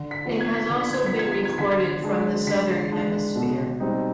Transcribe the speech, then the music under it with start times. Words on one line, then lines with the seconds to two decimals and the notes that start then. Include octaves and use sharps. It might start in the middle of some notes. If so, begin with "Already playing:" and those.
It has also been recorded from the Southern Hemisphere.
Already playing: D3
0.11 B6
0.25 F3 B3
0.41 G#6
0.54 B6
0.67 D3 G#6
0.80 B6
0.93 G#6
1.06 B6
1.14 F3 B3 G#6
1.32 B6
1.45 G#6
1.58 D3 B6
1.71 G#6
2.03 G#3 D4
2.47 D3 B6
2.92 G#3 D4
3.35 B2
3.80 G3 C4 D#4